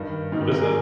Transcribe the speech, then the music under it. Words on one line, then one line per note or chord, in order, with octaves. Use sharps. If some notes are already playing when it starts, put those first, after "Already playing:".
What is it?
Already playing: G2 D#3
G#2 D#3
A#4
G#4